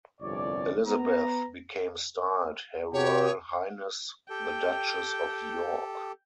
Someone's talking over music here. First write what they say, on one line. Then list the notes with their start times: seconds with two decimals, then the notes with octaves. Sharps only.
Elizabeth became styled "Her Royal Highness The Duchess of York".
0.21 G1 C2 F2 C#5 D5
0.86 B3 A#5
2.94 C3 F#4 G4 C#5
4.30 G4 A4 G5